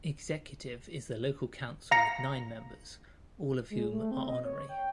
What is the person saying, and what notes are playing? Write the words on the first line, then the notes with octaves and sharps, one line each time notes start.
Executive is the local council with nine members, all of whom are honorary.
F5 A#5 A#6 C#7
G#3
A3
C4
D#5
C#5
G5